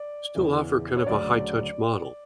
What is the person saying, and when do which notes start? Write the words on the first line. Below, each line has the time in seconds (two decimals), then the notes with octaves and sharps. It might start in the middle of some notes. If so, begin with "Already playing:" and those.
still offer kind of a high touch model.
Already playing: D5
0.35 E2 C#3 E3
0.97 C#5
1.06 D2 C#3 F#3 D5